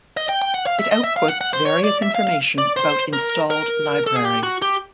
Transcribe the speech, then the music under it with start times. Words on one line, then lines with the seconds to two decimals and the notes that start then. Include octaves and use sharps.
It outputs various information about installed libraries.
0.17 D#5
0.29 G5
0.42 G5
0.54 F#5
0.67 F5
0.79 E5
0.91 D#5
1.04 E5
1.16 F5
1.28 F#5
1.41 F#5
1.53 C5
1.66 C#5
1.84 D5
2.02 E5
2.15 F5
2.27 F5
2.58 D5
2.77 C5
3.13 A#4
3.50 A#4
4.07 A4
4.16 G#4
4.25 G4
4.43 F#4
4.62 G4